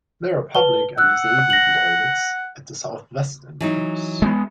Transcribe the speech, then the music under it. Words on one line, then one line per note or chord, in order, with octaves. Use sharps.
There are public and disabled toilets at the south-west entrance.
B4 A5 G7
F#5 E6 F#6
A#6 F#7
E3 F#3 D#4
G#3 A3 B3